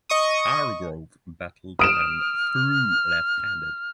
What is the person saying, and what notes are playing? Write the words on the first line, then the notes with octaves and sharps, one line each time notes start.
Hargrove batted and threw left-handed.
D#5 C#6 D#6
D#6 F6 D7 E7